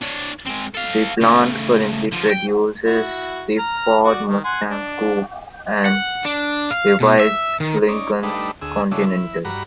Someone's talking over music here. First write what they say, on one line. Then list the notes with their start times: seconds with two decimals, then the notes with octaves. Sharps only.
The plant currently produces the Ford Mustang coupe and the revived Lincoln Continental.
0.02 D4 C#5
0.47 G#3 C4
0.75 A4 F5
1.21 C#3 A3
2.12 D3 F3
2.27 C#5 G5
2.86 E4 F#4
3.59 A#5 F6
4.04 F#4 D5
4.28 D#3
4.45 F#5 G#5 C6
4.71 D4
5.86 F#5
6.25 D4
6.71 F5
7.00 B2
7.20 E5
7.60 D#3
7.88 C#4 D#4 D5
8.23 G3 A3 D4 D#4 B4
8.62 D2 G#4 E6
8.91 C#3 F#3 G#3 A3 D4 E4
9.06 E4
9.45 G2 F#4 A#5 B5